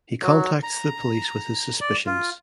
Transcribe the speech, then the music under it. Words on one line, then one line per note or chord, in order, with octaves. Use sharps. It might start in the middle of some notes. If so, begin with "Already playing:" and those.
He contacts the police with his suspicions.
F#3
A#5
D5
F4